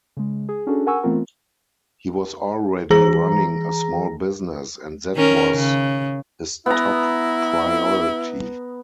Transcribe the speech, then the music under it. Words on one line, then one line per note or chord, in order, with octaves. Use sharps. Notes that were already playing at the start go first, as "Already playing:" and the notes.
He was already running a small business and that was his top priority.
C#3 G#3
G#4
C#4 D4 F#4 G#4 A4
A#4 F#5 G#5 C#6 E6
E3 A3 B3 C4 F4 A#4
E3 G#4 A#5 A#6
D#3 C#4 A#4
C#3
B3 E4 A#5